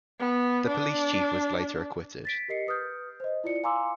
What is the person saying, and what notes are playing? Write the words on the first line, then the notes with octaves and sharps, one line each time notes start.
The police chief was later acquitted.
B3
D4
A6 B6 D7
G4 A#4 D#5 C7 C#7
B4 D#6 F6 G6
C5 D#5
E4 F4 D5 C#7
F5 G#5 A#5 C6 D6 E6